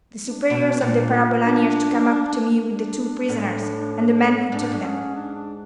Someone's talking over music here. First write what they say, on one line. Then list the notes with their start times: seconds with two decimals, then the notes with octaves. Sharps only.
The superiors of the parabolani are to come up to me with the two prisoners, and the men who took them.'
0.19 D4
0.50 B2
0.81 A#2
1.42 D4
2.66 D4
3.29 A2
4.52 G#2 D4
4.62 A2
4.72 G#2
4.83 C#4
5.14 D4
5.35 D4